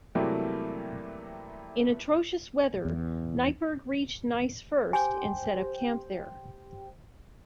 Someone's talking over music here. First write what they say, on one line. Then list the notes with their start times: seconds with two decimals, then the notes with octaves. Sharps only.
In atrocious weather, Neipperg reached Neisse first and set up camp there.
0.15 C3 E3 F#3 G3 A3 A#3
2.85 E2
4.93 G4 C5 G5 G#5